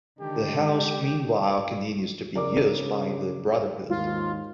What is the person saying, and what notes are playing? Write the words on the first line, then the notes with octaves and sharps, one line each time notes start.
The house meanwhile continues to be used by the brotherhood.
D3 D#3 G#3 G4
C#3 A#4 D5 D6
D#2 G#2 F4